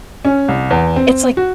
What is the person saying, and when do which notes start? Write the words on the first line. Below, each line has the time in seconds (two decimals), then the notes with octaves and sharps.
it's, like
0.25 C#4
0.48 C2
0.71 E2
0.96 C4
1.37 F#4